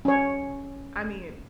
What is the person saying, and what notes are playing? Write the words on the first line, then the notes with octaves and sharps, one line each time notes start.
I mean,
C#4 C#5